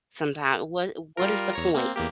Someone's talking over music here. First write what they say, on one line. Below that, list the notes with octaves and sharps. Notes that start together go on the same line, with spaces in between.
sometimes. What what is the point?
G3 F4 A#4
E2 C#5 A#5
A#3 C4
E2 A#3 G4